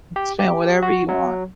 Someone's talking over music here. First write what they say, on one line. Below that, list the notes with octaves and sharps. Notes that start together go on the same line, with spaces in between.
Spend whatever you want.
G4
G4
F#4
F#3